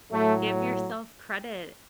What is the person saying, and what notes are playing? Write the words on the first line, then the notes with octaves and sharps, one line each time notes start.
Give yourself credit,
A2 F#3 A3